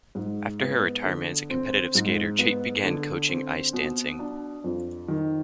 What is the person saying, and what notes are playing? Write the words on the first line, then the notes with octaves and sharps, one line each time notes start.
After her retirement as a competitive skater, Chait began coaching ice dancing.
G#2
B3
D3
C4
G#2
B3
D3
C4
B2
D4
F2
D#3